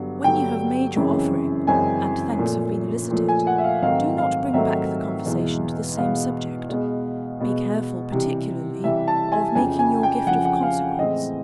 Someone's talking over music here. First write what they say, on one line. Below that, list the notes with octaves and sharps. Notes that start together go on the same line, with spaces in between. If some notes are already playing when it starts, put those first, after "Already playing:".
When you have made your offering, and thanks have been elicited, do not bring back the conversation to the same subject; be careful, particularly, of making your gift of consequence.
Already playing: G2 D3 F#3 B3
G2 D3 F#3 B3 G5
F#2 C#3 E3 G#3 C4
F#2 C#3 E3 G#3 C4 G#5
A#2 F3 A3
A#2 F3 A3
G#5
F#5
E5
F5
G#2 D#3 F#3 A3 C4 F5
F5
G#2 D#3 F#3 A3 C4 E5
E2 B2 G#3 B3
E2 B2 G#3 B3 F5
B2 G#3 B3
B2 G#3 B3
C3 E3 G3
C3 E3 G3 E5
A5
G#5
F2 C#3 F3 G#5
G#5
G5
F2 C#3 F3 F#5
F#5
F5
A2 E3 G#3 C4 D#5